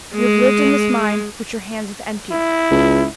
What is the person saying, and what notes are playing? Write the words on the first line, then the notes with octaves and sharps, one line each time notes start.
You have lived in this mine, which your hands have emptied.
G#3
E4
C#2